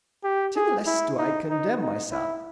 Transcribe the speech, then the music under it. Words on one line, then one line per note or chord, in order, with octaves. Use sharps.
Still less do I condemn myself.
G4
G#4
E4
D#4
D#4
D#4
E4